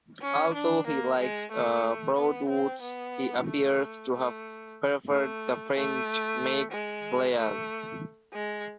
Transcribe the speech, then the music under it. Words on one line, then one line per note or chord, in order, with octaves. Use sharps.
Although he liked Broadwoods, he appears to have preferred the French make Pleyel.
C#4
D4
A#3
G#3
A3
B3
C4
B3
A3
A3
A3
A3
G#3
A3
G#3